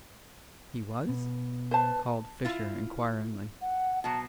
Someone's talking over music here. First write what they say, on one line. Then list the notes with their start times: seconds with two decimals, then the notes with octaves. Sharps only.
"He was?" called Fischer inquiringly.
1.09 B2
1.71 B4 C5 A5
2.45 E4 F4
3.61 F#5
4.04 B2 F#3 A5